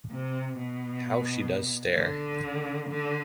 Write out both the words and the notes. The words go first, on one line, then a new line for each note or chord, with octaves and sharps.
How she does stare!
C3
B2
D3
D3